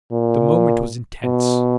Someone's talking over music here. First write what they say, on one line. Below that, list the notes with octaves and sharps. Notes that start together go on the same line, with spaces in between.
The moment was intense.
A#2
B2